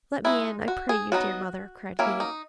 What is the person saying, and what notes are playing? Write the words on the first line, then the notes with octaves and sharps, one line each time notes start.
'Let me in, I pray you, dear mother,' cried he.
G#3 D#4 E4
F#4
G#4
F#3 B3 D#4 F#4
F#3 A#3 C#4 E4
D#4